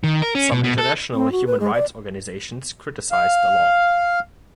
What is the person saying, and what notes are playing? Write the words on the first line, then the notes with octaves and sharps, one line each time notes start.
Some international human rights' organisations criticised the law.
D#3
A#4
C#4
B2
B2
A4
C4
F#4
B4
G#3
D5
F5